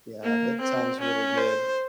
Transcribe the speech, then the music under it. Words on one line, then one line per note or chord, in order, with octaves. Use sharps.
Yeah, that sounds really good.
A#3
C4
C#4
C5